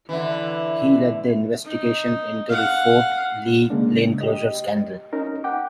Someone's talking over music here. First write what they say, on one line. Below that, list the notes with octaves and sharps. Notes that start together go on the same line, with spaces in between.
He led the investigation into the Fort Lee lane closure scandal.
D3 E3
D#4
F5 F#5
C#3 G#3 A#3 D4
G4 D#5
C#4 D#4 A#4
F#5 G5 D6